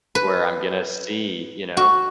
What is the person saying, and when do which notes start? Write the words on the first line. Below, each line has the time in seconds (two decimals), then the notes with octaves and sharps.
where I'm gonna see, you know,
0.15 B4
1.77 F#4